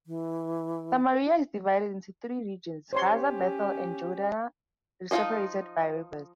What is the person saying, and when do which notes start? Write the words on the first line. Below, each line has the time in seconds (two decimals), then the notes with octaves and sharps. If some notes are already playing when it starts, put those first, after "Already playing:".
Samaria is divided into three regions, Gaza, Bethel and Jordana, separated by rivers.
0.07 E3
2.93 C#4 G4 C5 C#5 C6
5.11 F3 D#4 F4 C5 D#5